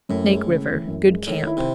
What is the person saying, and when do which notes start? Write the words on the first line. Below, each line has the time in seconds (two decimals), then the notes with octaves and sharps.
Snake River.--Good camp.
0.09 F#2 A2
0.28 G#3
0.48 C#3
0.68 E3
0.87 F#2
1.08 G#3
1.27 A2 D#3
1.47 E4
1.57 C3